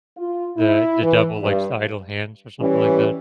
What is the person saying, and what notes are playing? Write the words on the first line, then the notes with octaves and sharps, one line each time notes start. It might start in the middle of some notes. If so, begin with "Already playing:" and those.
the the devil likes idle hands or something like that?
F4
E4
E3
G2
E3 G3 C#4